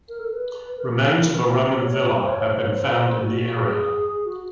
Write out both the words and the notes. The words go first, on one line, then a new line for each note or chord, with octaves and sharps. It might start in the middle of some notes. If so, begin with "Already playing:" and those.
Remains of a Roman villa have been found in the area.
A#4
A4
B4
A#4
C5
C#5
C5
C5
C#5
C5
C#5
C5
C5
F#4
F#4
G#4
F#4